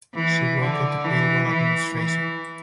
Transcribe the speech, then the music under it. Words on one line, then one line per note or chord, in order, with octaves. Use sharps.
She worked at the payroll administration.
E3
D3
E3
E3
E3